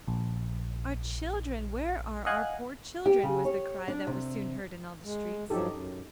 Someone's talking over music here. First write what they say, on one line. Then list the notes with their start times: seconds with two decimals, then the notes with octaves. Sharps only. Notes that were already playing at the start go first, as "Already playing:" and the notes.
'Our children! where are our poor children?' was the cry that was soon heard in all the streets.
0.08 A#1
2.26 D#5 F5 F#5 G#5 F#6
3.06 G4
3.23 C#3
3.45 C#5
3.88 D4
4.07 C3
5.04 G#3
5.50 G2 F3 F#3 D#4 G4 A4
5.70 F#2